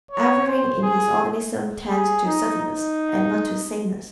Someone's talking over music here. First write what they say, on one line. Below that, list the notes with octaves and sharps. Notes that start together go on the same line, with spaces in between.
Everything in his organism tends to suddenness and not to sameness.
C#5
C5
G#4
G#4
D#4
D#4